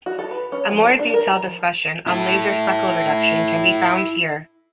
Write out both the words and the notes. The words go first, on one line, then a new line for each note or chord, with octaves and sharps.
A more detailed discussion on laser speckle reduction can be found here.
F#4
A4
B4
C#4
F3
A4
D4
A#4
A#5
F3
E4 A4